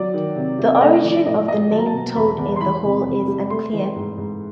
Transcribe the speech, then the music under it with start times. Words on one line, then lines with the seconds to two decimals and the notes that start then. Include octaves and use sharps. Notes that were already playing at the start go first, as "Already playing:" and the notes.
The origin of the name 'toad in the hole' is unclear.
Already playing: F#3 D5
0.14 D#3
0.36 C3
0.59 C3
0.75 D5
0.81 A3 D#5
0.93 D#5
1.04 F3 D5
1.26 A2 D#5
1.48 A2 D#5
1.71 F#3 A5
1.78 A#5
1.86 A5
1.94 B2
2.16 E2 B5
2.38 E2
2.56 C6
2.61 E3 B5
2.83 C3
3.05 F2
3.28 G3
3.50 A3 C6
3.73 E3
3.96 G#2
4.18 G#2